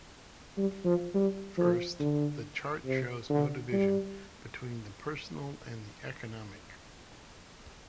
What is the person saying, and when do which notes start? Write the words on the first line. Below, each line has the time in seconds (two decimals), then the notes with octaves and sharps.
First, the chart shows no division between the personal and the economic.
0.58 G3
0.85 F3
1.14 G3
1.58 F3
2.00 D3
2.86 C3
3.29 D3
3.72 G3